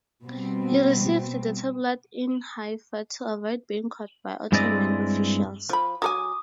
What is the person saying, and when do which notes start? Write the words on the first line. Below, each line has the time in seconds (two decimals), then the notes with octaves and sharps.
He received the tablet in Haifa to avoid being caught by Ottoman officials.
0.24 B2 G3 B3 C4
4.52 G2 G#3 C4 E4 D5 D#5
5.69 F3 B5
6.02 F#3 A4 G#5 D6 D#6